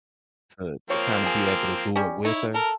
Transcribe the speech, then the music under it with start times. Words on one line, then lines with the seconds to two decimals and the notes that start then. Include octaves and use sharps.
to to kinda be able to do it with her,
0.90 F3 A#3 C4 C#5
1.26 G#4
1.96 G3 C#4
2.25 D#4 E4 C#5
2.54 A4 A#4